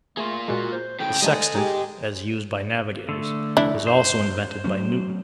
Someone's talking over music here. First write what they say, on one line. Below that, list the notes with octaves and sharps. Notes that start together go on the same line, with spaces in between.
The sextant, as used by navigators, was also invented by Newton.
A3 A#3 F4 G#4
A#2 G#3 F#4
C5
A2 C#3 G5
G3 A3 D#4 A4 D#5 G#5
D#4 G4 G#4
D3 A3
F1 E2 D4 E4
F#2
C5
F#3 A3 C#4